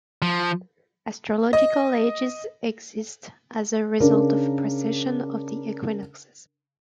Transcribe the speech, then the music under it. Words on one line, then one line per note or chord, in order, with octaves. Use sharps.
Astrological ages exist as a result of precession of the equinoxes.
F3
D#5
C#3 D4 A#4